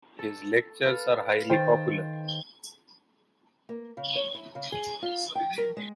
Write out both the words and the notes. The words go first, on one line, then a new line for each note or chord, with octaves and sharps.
His lectures are highly popular.
A4
A4 B4 F5
D#3 C5 G5 A6
A#3
C#3
C#5
E4
C#3
G#4
F4
G5
A#4
G#3